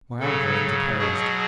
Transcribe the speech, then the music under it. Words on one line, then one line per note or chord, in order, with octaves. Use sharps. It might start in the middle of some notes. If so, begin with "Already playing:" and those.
My uncle interposed.
C#3 F#3 A4
B2 F#3 G#4